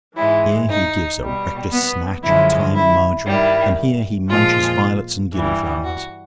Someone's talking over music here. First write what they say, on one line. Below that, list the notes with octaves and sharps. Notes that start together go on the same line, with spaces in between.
Here he gives a reckless snatch at thyme and marjoram--and here he munches violets and gilly-flowers.
G#2 E3 G#3 E4
D#4
B2 G3
B3
F#2 D3 F3 G#3 E4
E4
G2 D#3 G3 E4
A#2 F3 G#3 F4
G2 E3 G3
F#4